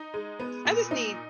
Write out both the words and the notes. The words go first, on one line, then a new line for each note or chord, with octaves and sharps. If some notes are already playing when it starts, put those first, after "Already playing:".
I just need
Already playing: D#4
G#3
B3
A#2
D#4